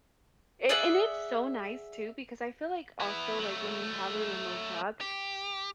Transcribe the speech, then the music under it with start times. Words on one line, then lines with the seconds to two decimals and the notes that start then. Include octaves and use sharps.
A and it's so nice, too, because I feel like also, like, when you have a remote job,
0.69 G#4 D5 E5 F#5
3.00 B3 E4
3.38 F#3 A3
5.01 G4